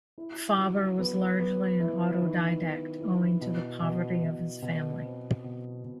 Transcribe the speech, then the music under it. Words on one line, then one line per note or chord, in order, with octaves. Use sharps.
Fabre was largely an autodidact, owing to the poverty of his family.
E4
F#3
B3
B3
E4
D#3
B3
E4
B2
B2
B2
B2
C4
B2
B2